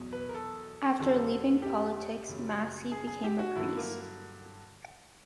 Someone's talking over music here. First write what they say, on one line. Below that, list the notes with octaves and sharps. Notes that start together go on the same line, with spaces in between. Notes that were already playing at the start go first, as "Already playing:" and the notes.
After leaving politics, Massey became a priest.
Already playing: E2 B2 F#3
B4
A#4
A4
F2 D3 G3
G4
F#2 C#3 F#3
G#4
G#4
G4
F#4
G2 D3 F#3 E4
A#3